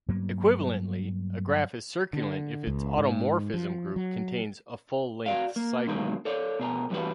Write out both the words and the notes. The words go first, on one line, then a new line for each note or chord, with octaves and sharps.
Equivalently, a graph is circulant if its automorphism group contains a full-length cycle.
G2 F#3 A#3 B3
D3
C#2
G#2
F3
F#3
F#4 D5 F5
A#3
B2 D3 D#3 F#3 G#3 A#3
A4 C#5 D5
B2 G#4 A#4
G2 E3 G3 D4 F#4 B4